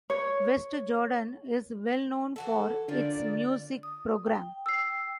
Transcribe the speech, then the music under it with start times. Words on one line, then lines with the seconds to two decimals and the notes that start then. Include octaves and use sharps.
West Jordan is well known for its music program.
0.10 C#5
2.36 E3 F#4 A4
2.88 D3 F3 A#3 C#4 D5
3.83 D#6
4.26 G5
4.66 E6 C7